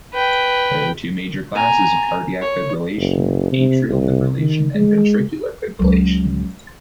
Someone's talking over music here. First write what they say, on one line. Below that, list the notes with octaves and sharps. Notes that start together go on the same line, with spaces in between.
There are two major classes of cardiac fibrillation: atrial fibrillation and ventricular fibrillation.
B4 G5
G#5 A#5
C#5
F#1
C3
C2
D#3
G#3
C#2 F#3